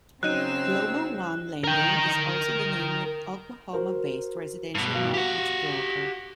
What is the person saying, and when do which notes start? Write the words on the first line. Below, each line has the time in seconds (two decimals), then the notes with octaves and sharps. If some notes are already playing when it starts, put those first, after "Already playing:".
Global One Lending is also the name of an Oklahoma-based residential mortgage broker.
0.23 C#3 F#3 C4 D#4 E6 F#6 D#7
1.64 A#4 G5
3.73 F#4 A#4 C5
4.75 G2 B2
4.95 F#4 F5
5.14 G4 F#5